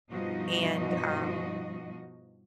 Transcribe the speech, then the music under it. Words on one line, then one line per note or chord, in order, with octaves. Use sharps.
and, um,
G2 B2 F3 D#4 F#4 D#5